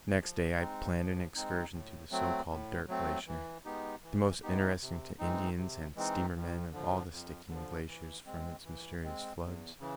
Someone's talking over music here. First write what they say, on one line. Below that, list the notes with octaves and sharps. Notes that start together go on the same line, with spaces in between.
Next day I planned an excursion to the so-called Dirt Glacier, the most interesting to Indians and steamer men of all the Stickeen glaciers from its mysterious floods.
F3
G#3 C4 D#4
F3
G#3 C4 D#4
A2
F#3 A3 C4
A2
F#3 A3 C4
E3
G#3 B3 D#4 G4
E3
G#3 B3 D#4 G4
C3
E3 G#3 C4 D#4
C3
E3 G#3 C4 D#4
F2
D3 F3
F2
D3 F3
E3
G#3 C4
E3
G#3 C4
E2
C#3 E3